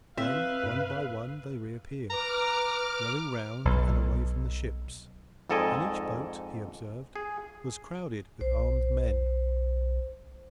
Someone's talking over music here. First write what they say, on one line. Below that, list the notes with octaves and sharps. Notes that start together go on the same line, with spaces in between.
Then one by one they reappeared, rowing round and away from the ships, and each boat, he observed, was crowded with armed men.
C4 B4 E5 F5
G2
B4 A#5 D6 F6
B1
F2 G#2 A4 D5 D#5 G#5
G#4
B1 C5